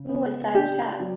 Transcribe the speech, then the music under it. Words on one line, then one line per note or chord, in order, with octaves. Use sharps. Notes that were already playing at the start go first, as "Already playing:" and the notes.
Who was that chap?
Already playing: C#3
B3
D4 G4
F#3